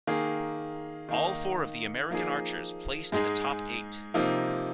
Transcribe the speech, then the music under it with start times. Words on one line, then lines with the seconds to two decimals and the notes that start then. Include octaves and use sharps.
All four of the American archers placed in the top eight.
0.07 D#3 A#3 G#4
1.09 D#3 A#3 D#4
2.11 F3 A#3 D#4 G#4
3.12 G#2 G#3 D#4 G#4
4.14 C3 F3 A#3 D#4